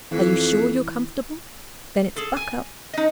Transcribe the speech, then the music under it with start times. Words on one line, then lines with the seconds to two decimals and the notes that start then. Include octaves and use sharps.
Are you sure you're comfortable?' Then it's 'Buck up!
0.11 F2 E3
2.16 G#4 A4
2.37 G#5
2.94 D#4 D#5